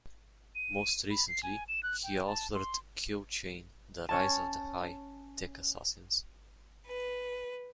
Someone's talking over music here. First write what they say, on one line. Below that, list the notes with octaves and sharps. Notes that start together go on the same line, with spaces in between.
Most recently, he authored Kill Chain - The Rise of the High-Tech Assassins.
D#7
B5
C7
G#5
E7
F#6
G5
A5
C6
C#4 C#5 A5
B4